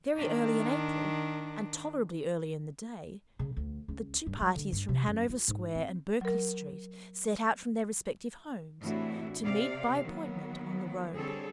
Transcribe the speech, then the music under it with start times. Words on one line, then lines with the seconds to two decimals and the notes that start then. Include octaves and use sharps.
Very early in April, and tolerably early in the day, the two parties from Hanover Square and Berkeley Street set out from their respective homes, to meet, by appointment, on the road.
0.16 D#3 D4
3.39 C#3
3.57 D2
3.88 C#2
4.26 G2
4.41 G3
4.56 D3
4.72 G2
4.89 C3
5.06 F#2
5.29 F4
5.48 G#2
5.75 C4
6.21 F#3 A#4
8.83 A2 C3 E3 D4 E4 F#4
9.45 C3 D5 F5
10.03 D#3 F#3 A#3 B3
11.13 D3 G3 C4 G#4 A4 C#5